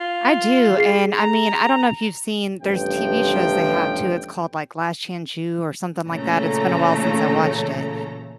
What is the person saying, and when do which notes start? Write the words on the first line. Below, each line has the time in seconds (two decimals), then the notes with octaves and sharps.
I do, and I mean, I don't know if you've seen, there's TV shows they have too, it's called, like, Last Chance U, or something like that, it's been a while since I watched it.
0.01 F4
0.78 G#4 C7
1.18 A#5
2.62 A1 G2 C3 F3 G5
6.09 A#2 C#3 E3 A3 A4 A#5